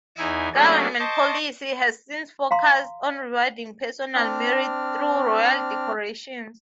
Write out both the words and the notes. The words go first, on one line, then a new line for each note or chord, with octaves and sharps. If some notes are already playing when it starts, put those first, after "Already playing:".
Government policy has since focussed on rewarding personal merit through royal decorations.
E2 D#4 E4 G#5
F#3 A3 A#3 C#4 D4 G#4
C5 D#5 A5 C#6 D6 G6
F5 A#5 C6
C4 D4 F6